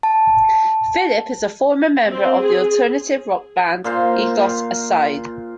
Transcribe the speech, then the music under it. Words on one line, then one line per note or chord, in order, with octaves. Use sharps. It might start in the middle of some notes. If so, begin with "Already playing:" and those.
Phillip is a former member of the alternative rock band Egos Aside.
A5
C4
G#4
A#2 C5 F5